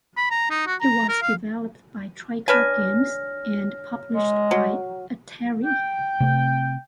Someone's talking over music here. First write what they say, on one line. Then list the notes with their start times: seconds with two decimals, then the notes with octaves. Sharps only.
It was developed by Troika Games and published by Atari.
0.17 B5
0.31 A#5
0.50 D#4
0.67 F#4
0.81 A#5
1.09 A#4
1.22 F5
2.48 D4 B4 C#5 G#5 F6 A#6
4.14 G#3
4.51 F#3
5.65 G5
6.20 C3 A3 C4